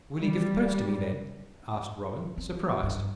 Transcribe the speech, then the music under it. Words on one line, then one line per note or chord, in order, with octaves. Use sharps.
"Will he give the purse to me, then?" asked Robin, surprised.
G3
C4
G2